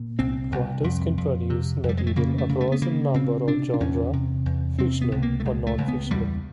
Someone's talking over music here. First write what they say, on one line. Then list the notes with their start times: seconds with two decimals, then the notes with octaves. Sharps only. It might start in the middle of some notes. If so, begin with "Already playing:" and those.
Writers can produce material across a number of genres, fictional or non-fictional.
Already playing: A#2
0.19 C2 C4
0.52 C2
0.84 F2
1.18 F2
1.50 C3
1.83 F2
1.89 G3
1.98 G#3
2.07 A3
2.16 C#3 A#3
2.38 A3
2.49 C#3
2.61 A3
2.72 B3
2.82 C#3 A#3
3.14 C#3 C4
3.47 C3 D4
3.74 D4
3.80 E2 C#4
4.13 C3
4.46 E2
4.79 C3 C4
5.01 B3
5.11 C#2
5.22 A#3
5.40 A3
5.45 C#2 G#3
5.67 A3
5.78 C#2
5.88 B3
6.11 E2 G3